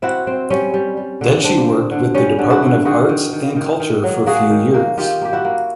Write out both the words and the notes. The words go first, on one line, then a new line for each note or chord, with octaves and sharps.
Then she worked with the department of Arts and Culture for few years.
C4 E4 F#4
C4
G3 C#4
G3
G3
D3
G3 C4 D4
C4
D3
G3 C#4
D3
E4 F#4
D3
D#3 F#4 G#4
D#3
D#3
D#3
D#3
F#3
A#3 F#4 G#4
D#3
A#3
D#3 F4 G4
A#3 G4
E4 F#4
A#3